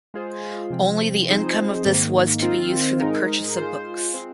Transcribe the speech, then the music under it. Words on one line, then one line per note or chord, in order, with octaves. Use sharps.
Only the income of this was to be used for the purchase of books.
G#3 F4 G#4 C5
C3 F3 C4
F3 C4 D#4 G#4 C5
G#2 D#3 A#3
D#3 C4 F4
G#2 G#3 D#4 A#4
G#3 F4 C5
G#3 C4